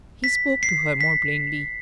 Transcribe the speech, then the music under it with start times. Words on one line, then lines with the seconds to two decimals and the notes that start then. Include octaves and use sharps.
He spoke to her more plainly.
0.24 B6
0.63 C7
1.01 B6